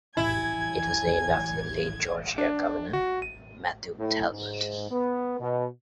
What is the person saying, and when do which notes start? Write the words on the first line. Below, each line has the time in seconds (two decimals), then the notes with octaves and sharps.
It was named after the late Georgia governor Matthew Talbot.
0.17 E4 G#5 G#6
2.38 D4
2.93 F#4
3.22 D#7
3.99 A2
4.30 G#2
4.90 B3
5.40 B2